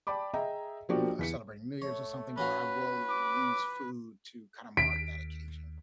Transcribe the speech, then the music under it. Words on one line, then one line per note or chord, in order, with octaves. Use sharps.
you know, celebrating New Years, or something, where I will use food to kinda mark that occasion.
D5 G5 A5 B5 D6
G#4 D#5 E5 G5 A#5
F3 A#3 D4 F#4 G4 D5
E2 B6 C#7
A3 C#5
C#4 F#4 B4 F5
D6
D#2 B6 D7